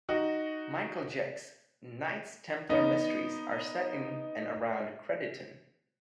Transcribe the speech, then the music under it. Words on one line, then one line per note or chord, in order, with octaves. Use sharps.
Michael Jecks' "Knights Templar Mysteries" are set in and around Crediton.
D#4 F#4
B3 D#4